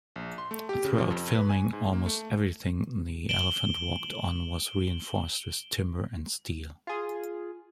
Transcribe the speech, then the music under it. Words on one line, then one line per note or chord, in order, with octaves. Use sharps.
Throughout filming, almost everything the elephant walked on was reinforced with timber and steel.
A#1
C6
A3
G4
C#3
F3
F2
B4
G#5
G#2
A#3
A3
D7 E7 F#7 G7
F4 G#4